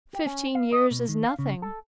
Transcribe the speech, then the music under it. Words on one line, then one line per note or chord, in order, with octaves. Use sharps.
Fifteen years is nothing.
G4
C#4
F5
D#5
B2
D#3
F5
C#3
A4